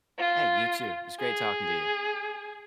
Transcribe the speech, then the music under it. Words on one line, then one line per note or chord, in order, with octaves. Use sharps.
Hey, you too. It's great talking to you.
F4
G#4